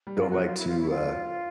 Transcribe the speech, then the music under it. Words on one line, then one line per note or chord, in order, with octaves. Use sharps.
don't like to, uh
G3
F#3 F4
F3 F#4
F#3
F4
E4
F4
E4
F4